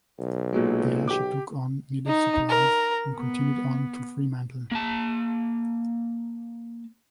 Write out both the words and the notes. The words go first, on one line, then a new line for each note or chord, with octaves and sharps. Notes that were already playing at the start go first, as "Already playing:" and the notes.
There, she took on needed supplies and continued on to Fremantle.
B1
A#2 F#3 G#3
G4 D6
D#4
A#4
B3
A#3 A5